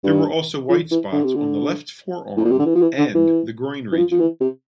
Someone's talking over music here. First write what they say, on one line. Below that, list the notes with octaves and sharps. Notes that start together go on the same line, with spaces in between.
There were also white spots on the left forearm and the groin region.
G2
F3
E3
D3
C3
D3
A2
A#2
C3
D3
E3
F3
E3
D3
E3
E3
F3
F3
E3
C3